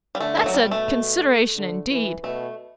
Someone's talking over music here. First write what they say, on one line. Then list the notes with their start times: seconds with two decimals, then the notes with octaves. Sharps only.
That's a consideration, indeed.
0.15 G3
0.20 D3 A3
0.37 A3
0.46 F#3
0.54 B2 G3
0.71 A3
1.56 D3
1.90 E3
2.23 B2 A3